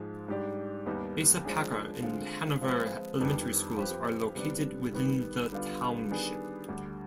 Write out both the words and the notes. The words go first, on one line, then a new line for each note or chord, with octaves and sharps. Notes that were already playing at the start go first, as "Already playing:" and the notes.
Asa Packer and Hanover elementary schools are located within the Township.
Already playing: G#2 F3 G#3
G#2 G3 D4 G4 D5
D#2 D#3 G3 B3 D#4
F3 G#3 D4 G#4
D3 G#3 C4 F4
F3 G#3 C4 F4 B4
F2 D#3 G3 B3 D4
F3 C4 G4 B4
C3 G3 B3 D4
D#3 G3 B3
D3 G3 B3 F4
D#3 G3 B3 D4 G#4
D2 D3 G3